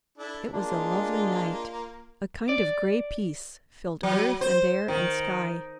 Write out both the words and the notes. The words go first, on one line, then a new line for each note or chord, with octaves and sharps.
It was a lovely night. A kind of grey peace filled earth and air and sky.
D4 E4 A4
G#3 A#3 D4 F4
D5
F#3
C5
D#3